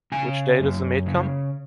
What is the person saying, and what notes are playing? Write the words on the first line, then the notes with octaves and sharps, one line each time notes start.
Which day does the maid come?
C#3 G#5
F#2
C#3